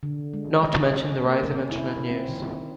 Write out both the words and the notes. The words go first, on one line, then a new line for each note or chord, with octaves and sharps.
Not to mention the rise of Internet news.
D3
G#3
D#5
C#4
A#3
C#4
E4
C4
D#3